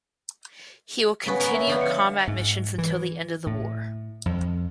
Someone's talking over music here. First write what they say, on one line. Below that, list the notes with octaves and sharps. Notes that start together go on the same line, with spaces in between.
He will continue combat missions until the end of the war.
C#3 B3 G#5 C#6 B6
B3 A#4
C#5 E5
D3 F3 B3
F5 C#7
G#2
E3
A2
F2